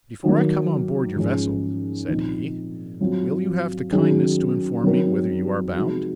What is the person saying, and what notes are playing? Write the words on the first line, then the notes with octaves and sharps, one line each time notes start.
"Before I come on board your vessel," said he, "will you have the kindness to inform me whither you are bound?"
D#3 F#3 A#3
G#2 F3 G#3 C#4
A#2 F3 C4 D#4
F#3 C4 F4
D#3 F#3 C#4 G#4
F#3 C4 D#4 A#4
C3 F3 G#3 D#4 F#4